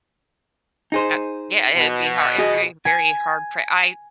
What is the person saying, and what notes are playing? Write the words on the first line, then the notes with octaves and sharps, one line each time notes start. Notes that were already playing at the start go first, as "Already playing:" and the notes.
Uh, yeah. I I it'd be hard. It'd be very hard for I,
D#4 G#4 C5
B2
F#4 G#4 D#5
G#5